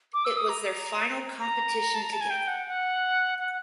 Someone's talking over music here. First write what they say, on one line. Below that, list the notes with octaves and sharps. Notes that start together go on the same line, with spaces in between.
It was their final competition together.
D6
E6
D#6
A#5
A#5
A5
A#5
A5
G#5
G5
F#5
F#5
F#5